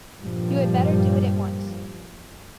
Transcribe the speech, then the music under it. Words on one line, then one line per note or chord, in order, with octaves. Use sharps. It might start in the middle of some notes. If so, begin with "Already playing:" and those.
You had better do it at once.
G2 A#2 F3 G3